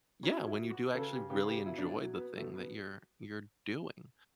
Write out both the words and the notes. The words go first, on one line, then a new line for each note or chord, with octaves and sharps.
Yeah, when you do actually really enjoy the thing that you're you're doing.
F#3 C#4
E4
F#3
F#4
C#3 A4
G4
C#3 G4
G4
B2 E4
D4
E4
F#3
B3
B2 A3
B3